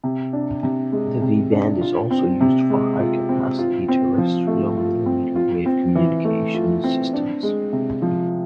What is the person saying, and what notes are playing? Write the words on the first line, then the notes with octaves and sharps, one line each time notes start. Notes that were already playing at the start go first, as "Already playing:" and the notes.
The V band is also used for high capacity terrestrial millimeter wave communications systems.
C3
D4
C3
G#3
C3
D4
F4
C4
C3
G#3
F4
C4
F4
C4
F3
A3
F4
C4
F4
C4
E3
A3
F4
C4
D4
G#3
C3
F3